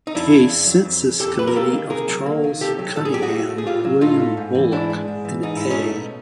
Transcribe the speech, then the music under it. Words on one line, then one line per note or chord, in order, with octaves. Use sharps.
A census committee of Charles Cunningham, William Bullock and A.
D#4
F2 D4 E4
C#3
F2
F#3
F2
C#3
F2 G4 A4
F#3 B4
A#4
A#3 G4 A4
D#3
C3 G#4 A#4
F#3
A#3
D#3
C3 G4 A4
F#3
A2 A4
G#4
F#3 G4
F#4 G#4
A2
A3
G#4
A2 F4 G4
F#3
A2 D#4 F4
A3
G#2
E3
G#2 D4 E4
G#3
G#2
E3
G#2 D#4
G#3 E4
C#4 D#4
A3
B2